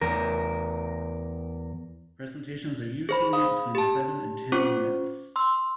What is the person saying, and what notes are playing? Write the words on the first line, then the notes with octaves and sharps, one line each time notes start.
Presentations are usually between seven and ten minutes.
E2 A#4
G#4 C5 B5
F5 B5 D#6
G4 A5
C#4 F4 C5 C#6 D6
C6 E6